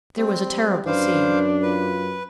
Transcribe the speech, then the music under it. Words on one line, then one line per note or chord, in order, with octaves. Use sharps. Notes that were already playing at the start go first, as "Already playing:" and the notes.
There was a terrible scene.
G3 C4
F#2 D4 B4 C5 F5
F4 B4